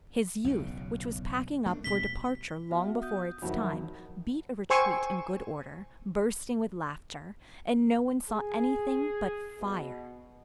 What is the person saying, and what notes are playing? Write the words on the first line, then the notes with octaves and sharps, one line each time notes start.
His youth, which was packing up for departure long before its time, beat a retreat in good order, bursting with laughter, and no one saw anything but fire.
B1 E2 C#3
A3 D4
D2 B2 G3 B6 G7
B3 F#4 E5
D#6 G6
F2 D#3 F#3 E4 F#4 B5
C5 G5 G#5 C6 C#6 E6
G#4
B2